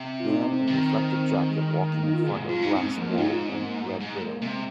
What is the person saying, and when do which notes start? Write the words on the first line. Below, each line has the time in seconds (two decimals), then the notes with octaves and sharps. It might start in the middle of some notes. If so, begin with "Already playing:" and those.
Man in reflective jacket walking in front of glass wall and red railing.
Already playing: C3
0.20 F4
0.26 D#4
0.38 D#4
0.47 C4
0.67 D#3 C4
1.50 G#3
1.92 A#3
2.03 D#4
2.14 F4
2.24 G#4
2.34 G#2 G#4
2.44 F4
2.49 F2
2.55 F4
2.62 G#2 D#4
2.75 G#2 C4
2.86 G#3
2.97 F2 A#3
3.07 A#3
3.13 F4
3.17 G#2 D#4
3.23 G#4
3.28 F4
3.38 D#4
3.49 C4
3.59 A#3
3.80 G#3
4.01 G#2 G#3
4.22 A#3
4.36 A#3
4.42 C3 G#3